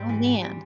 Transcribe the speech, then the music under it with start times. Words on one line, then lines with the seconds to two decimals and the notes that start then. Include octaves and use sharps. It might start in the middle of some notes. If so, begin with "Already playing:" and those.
Oh, man.
Already playing: G#2 G3 C4
0.09 E3
0.26 E3
0.42 G3